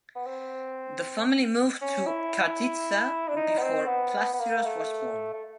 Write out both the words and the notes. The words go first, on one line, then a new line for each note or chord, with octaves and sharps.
The family moved to Karditsa before Plastiras was born.
B3
C4
C#4
E4
D4
D#4
B3
C4
B3
B3
A#3
A3
A3